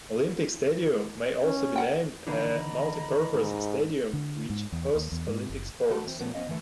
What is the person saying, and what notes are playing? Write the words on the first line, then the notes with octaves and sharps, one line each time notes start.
Olympic Stadium may also be named a multi-purpose stadium which hosts Olympic sports.
C#4
A#4 F#5 G5
D#2 D3 E3 D#5 A#5 B5
G#2
D3
G#2
E2
D#2
E2
G#2
F#1
A3 F#4 A4
E3 C4
A#2 F3 A3 B3 C#4 A#4
F3 B3 C#4 D#5 F5
D3 E3 A3